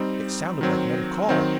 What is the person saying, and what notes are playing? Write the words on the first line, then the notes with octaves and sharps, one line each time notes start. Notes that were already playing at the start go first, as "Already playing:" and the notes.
"It sounded like another call."
Already playing: G3 C4 D#4
D#3 F#3 C4
D#3 F#3 C4